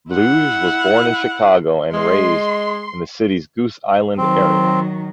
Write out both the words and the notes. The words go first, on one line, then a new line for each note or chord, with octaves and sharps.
Bluege was born in Chicago and raised in the city's Goose Island area.
E4 F#5
G#3 D#5 C6
D#3 F#3 C4